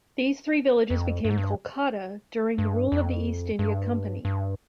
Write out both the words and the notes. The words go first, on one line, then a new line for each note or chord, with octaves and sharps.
These three villages became Kolkata during the rule of East India Company.
F2
G2
G#2
G2
G2
F2
G2
G2